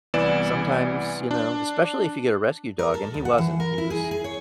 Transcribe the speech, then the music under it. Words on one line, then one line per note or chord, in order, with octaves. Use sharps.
sometimes, you know especially if you get a rescue dog, and he wasn't. He was
C2 E3 B3 D5 E7
D4
A#4
A4
D2
F#5
E3
A#4
E4
G#4
G#4
C#5